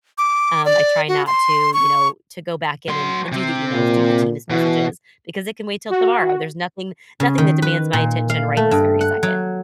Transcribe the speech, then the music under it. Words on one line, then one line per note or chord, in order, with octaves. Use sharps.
um, I try not to, you know, to go back in and and do the emails, do the Teams messages because it can wait till tomorrow. There's nothing nothing that demands my attention right this very second.
D6
D5
F#4
C6
C#6
F#3 C6
C3 C4
A#2
B2 E3
F#4
C#3
D#3
B4
A#2
F5
A3
G2
F#5
F#3